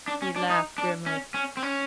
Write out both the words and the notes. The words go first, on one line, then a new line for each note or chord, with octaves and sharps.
He laughed grimly.
D4
C#4
D4
D#4
D4
C#4
C#4
C4
C#4